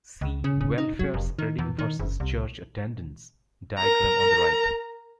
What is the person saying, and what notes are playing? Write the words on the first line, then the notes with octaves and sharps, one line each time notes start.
See "Welfare spending versus Church attendance" diagram on the right.
C#2
C#3
C#3
D#4
F#3
F1
D#3
E2
D#3
F#1
C2
A#4 A#5